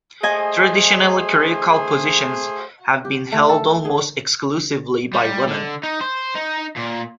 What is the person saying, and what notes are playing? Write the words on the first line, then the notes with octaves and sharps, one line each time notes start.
Traditionally clerical positions have been held almost exclusively by women.
A3 G#4 C5 D#5 G#5
G4
A3
A4
G#4
G3
D3
D#4
C5
D#4
A#2